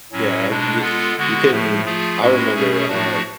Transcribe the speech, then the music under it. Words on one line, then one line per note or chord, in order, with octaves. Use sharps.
Yeah, I c y you couldn't I remember, uh,
A2 F#3 C#4
B2 G#3 D4
G#3 B3 F4 A4
D3 G#3 B3 F#4
A2 F3 A3
F3 A3 F4 G#4
A2 G#3 C#4 F#4
B2 A3 C#4 G#4
A2 F3 A3 D4 F#4